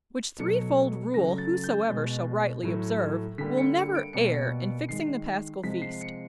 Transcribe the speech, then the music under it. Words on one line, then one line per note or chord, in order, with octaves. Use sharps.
Which threefold rule whosoever shall rightly observe, will never err in fixing the Paschal feast.
B2 F#3 A3 C#7
C#3 F#3 A3 A#6
A6
G6
B2 G#3
A2 F#3 A3
D3 G3 A#3 B6
C#7
C#7
D7
B2 G3 A#3 C#7
D#3 G#3 C7
C3 F3 G#3 B6
C7
C#7